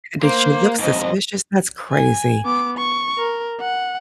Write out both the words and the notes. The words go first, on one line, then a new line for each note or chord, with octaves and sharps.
Did she look suspicious? That's crazy.
A#3 C5
F2 G#2 D#5
G#5
B3 D6
C#6
A#4
F#5